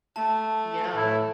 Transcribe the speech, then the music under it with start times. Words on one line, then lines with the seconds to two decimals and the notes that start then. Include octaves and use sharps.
Mm yeah.
0.16 A3 A5
0.96 A2 E4